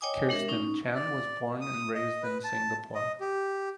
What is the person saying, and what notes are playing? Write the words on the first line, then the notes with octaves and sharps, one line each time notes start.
Kirstin Chen was born and raised in Singapore.
C#5 D#5 G5 G#5 D6 D#6
G#3 D4 A#4 E5
C#4 D#4
D5
D#6
D#5
B4
A5
D#5
G4